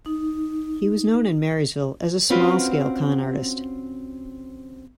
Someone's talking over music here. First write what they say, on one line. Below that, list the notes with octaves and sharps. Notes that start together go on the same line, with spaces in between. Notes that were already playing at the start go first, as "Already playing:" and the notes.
He was known in Marysville as a small-scale con artist.
D#4
C4 C#4 F4 F#4 B4